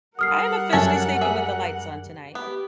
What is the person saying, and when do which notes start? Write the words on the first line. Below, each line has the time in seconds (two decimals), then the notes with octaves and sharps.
I am officially sleeping with the lights on tonight.
0.19 G3 A#4 F#5 D#6 F6 C7
0.73 F#2 A4 C#5 E5 G#5 A6
1.21 G#4 E5
2.35 B3 G4